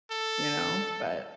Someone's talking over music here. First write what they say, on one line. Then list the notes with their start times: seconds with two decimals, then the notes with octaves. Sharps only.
You know, but
0.11 A4